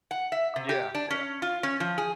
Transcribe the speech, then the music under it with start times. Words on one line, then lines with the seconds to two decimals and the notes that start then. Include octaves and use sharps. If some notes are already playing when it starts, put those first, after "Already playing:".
Yeah, yeah.
0.11 F#5
0.32 E5
0.56 C3
0.69 G4
0.95 D4
1.10 C#4
1.42 F4
1.63 C#4
1.80 F3
1.98 G#4